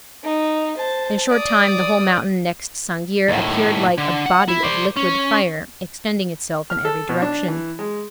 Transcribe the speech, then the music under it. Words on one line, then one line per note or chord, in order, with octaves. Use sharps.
In short time the whole mountain next Sang'ir appeared like a body of liquid fire, extending itself in every direction.
D#4
C5 A5
D5 D#6
D#2 A2
D3
F#5
E4
C5 D5
C#4
F6
A4
B2
D4
E3
G#3